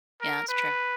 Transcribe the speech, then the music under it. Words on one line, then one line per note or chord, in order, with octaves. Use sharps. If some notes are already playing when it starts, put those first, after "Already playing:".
Yeah, that's true.
A#4
B4